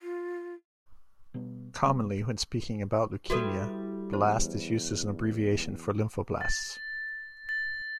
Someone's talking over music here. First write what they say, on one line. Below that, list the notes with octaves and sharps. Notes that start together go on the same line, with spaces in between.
Commonly, when speaking about leukemia, "blast" is used as an abbreviation for lymphoblasts.
F4
B2 G3 B3
C3 F#3 G3 B3
G3 E4 F#4 A4 B4
E2 C5
A6
A6